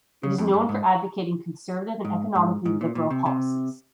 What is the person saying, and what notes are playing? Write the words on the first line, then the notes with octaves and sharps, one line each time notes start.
It is known for advocating conservative and economically liberal policies.
C#3
F2
G2
G#2
G#2
G#2
G#2
A#2
A#2
C3
C3